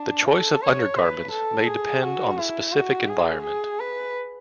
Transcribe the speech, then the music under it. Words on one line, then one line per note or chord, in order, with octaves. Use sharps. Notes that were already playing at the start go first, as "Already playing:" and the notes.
The choice of undergarments may depend on the specific environment.
Already playing: D4
A4
C#5
B4
A4
G#4
F#4
E4
F#4
G#4
G#4
B4